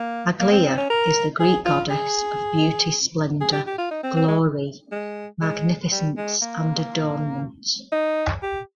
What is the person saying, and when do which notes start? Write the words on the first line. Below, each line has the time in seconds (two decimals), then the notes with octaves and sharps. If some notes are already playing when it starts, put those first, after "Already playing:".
Aglaea is the Greek goddess of beauty, splendor, glory, magnificence, and adornment.
Already playing: A#3
0.40 A#3
0.52 C4
0.65 C4
0.77 C#4
0.90 A#4
1.40 G#4
1.65 F4
1.90 G#4
3.41 G#4
3.52 G4
3.66 G4
3.78 F4
3.91 D#4
4.03 C4
4.16 C4
4.28 G#3
4.92 G#3
5.41 G#3
5.91 G3
6.17 G#3
6.42 A#3
7.92 D#4
8.42 G4